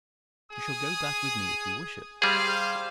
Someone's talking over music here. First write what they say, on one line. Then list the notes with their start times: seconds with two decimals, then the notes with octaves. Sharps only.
"You shall go back with me if you wish it."
0.51 G#4 D#6
2.22 G3 G#4 C5 F5